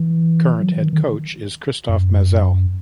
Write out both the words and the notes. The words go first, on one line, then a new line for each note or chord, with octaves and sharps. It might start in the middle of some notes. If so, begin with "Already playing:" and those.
Current head coach is Christophe Mazel.
Already playing: E3
F#3
E3
D#3
D#3
F#2